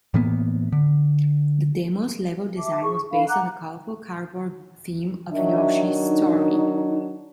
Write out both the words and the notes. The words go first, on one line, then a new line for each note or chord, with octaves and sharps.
The demo's level design was based on the colorful cardboard theme of "Yoshi's Story".
A2 E3 A#3 B3
D3
E5 A5 D6
G#4 C#6
D4 A4 F5 B5
F#5 A#5 D6 F#6
D#3 F#3 D4 E5
D#4